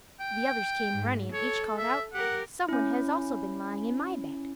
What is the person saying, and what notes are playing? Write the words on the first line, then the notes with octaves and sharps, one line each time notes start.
The others came running, and each called out, "Some one has also been lying in my bed."
G5
G#2
A4 C#5
E5
G4 A#4 F#5
C#4 E4